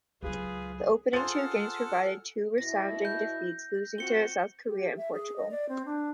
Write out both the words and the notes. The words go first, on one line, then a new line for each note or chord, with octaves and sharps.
The opening two games provided two resounding defeats losing to South Korea and Portugal.
C#2 F#3 F4 G#4 B4
F4 G#4 A4 C5 F#5 C6 F6 A6
B2 E4 A#6
G6
C4 F4 F#4 C#7 G7
G4
E5
G#4
D#5
D5
C4
D4